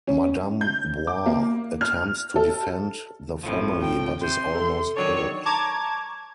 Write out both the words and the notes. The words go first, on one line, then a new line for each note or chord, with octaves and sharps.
Madame Wah attempts to defend the family, but is almost killed.
C#4
G6
D6
A#3
F6
A4
A#1 F2 A2 F3
C#2 G5
C3 C6 G6
A4
D#3 F#3 D4 C#5
A5 A#5 C#6 D6 G#6